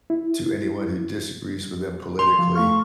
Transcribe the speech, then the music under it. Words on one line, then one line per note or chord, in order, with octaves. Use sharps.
to anyone who disagrees with them politically,
E4
C6 F7
F3
A3 F5 C#6 F6